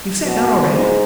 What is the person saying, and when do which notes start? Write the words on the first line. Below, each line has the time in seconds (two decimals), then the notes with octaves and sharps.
You've sat down already?
0.25 B2
0.72 G#2